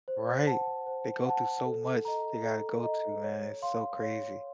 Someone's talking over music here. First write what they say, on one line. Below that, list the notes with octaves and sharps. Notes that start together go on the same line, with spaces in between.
Right, they go through so much they gotta go through, man, it's so crazy.
C5
F#5 A5
C5
F#5 A5
A4
D#5 A#5
A4
D#5 A#5
C#5
F5 C6
C#5